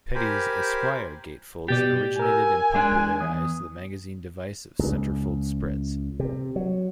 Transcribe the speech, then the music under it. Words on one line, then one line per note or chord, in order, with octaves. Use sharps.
Petty's "Esquire" gatefolds originated and popularized the magazine device of centerfold spreads.
G4 A#4 C5 G#5 B5
B2 G4 D5 A6
A#4 G#5 E6
G#3 D4
E2 D#6
C#2
C3
F#3